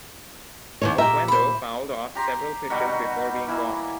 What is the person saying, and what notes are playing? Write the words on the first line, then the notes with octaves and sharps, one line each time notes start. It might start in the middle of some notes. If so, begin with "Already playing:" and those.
Oquendo fouled off several pitches before being walked.
D#2 A#2 C#5
A#2 G4 E5 A#5
C5 B5
G4 A#5 C6
B2 G3 D#4 F#4
E3 A#3 E4